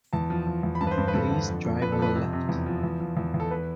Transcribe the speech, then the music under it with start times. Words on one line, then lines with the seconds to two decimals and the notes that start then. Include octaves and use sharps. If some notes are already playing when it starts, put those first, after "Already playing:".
Please drive on the left.
0.13 E2 A5
0.30 F3
0.47 F3
0.63 E2
0.75 B5
0.81 G2 A5
0.87 B4
0.91 C5
0.98 G2
1.08 B4
1.14 G2 A4
1.31 D3
1.49 F2
1.65 F2
1.82 F2 B4
1.92 A4
1.99 F2 B4
2.16 C3
2.33 C3
2.49 E2
2.66 F3
2.83 E2
3.00 F3
3.17 E2
3.34 E2
3.40 A4
3.51 B4